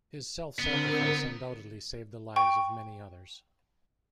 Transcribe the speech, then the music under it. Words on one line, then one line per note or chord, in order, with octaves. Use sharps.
His self-sacrifice undoubtedly saved the lives of many others.
D3 B3 C4 A#4
G5 C#6